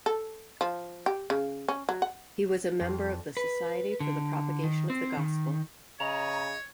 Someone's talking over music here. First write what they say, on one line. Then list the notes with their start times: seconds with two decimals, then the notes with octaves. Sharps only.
He was a member of the Society for the Propagation of the Gospel.
0.06 A4
0.61 F3
1.06 G4
1.30 C#3
1.68 C#4
1.89 F#3
2.02 F#5
2.81 F2
3.37 B4
4.00 D3
4.64 D#3
4.90 C4
5.17 D#3
6.00 C#3 C#5 D#5 A#5